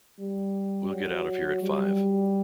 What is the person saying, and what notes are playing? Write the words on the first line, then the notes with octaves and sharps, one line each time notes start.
We'll get out of here at five.
G3
F#3
G3